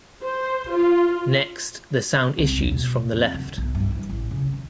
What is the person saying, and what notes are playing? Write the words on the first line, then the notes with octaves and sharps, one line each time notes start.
Next the sound issues from the left.
C5
F4
C2
D#2
B2
A3
F2
D3
B1
G2
E3
A1
C#3
D#3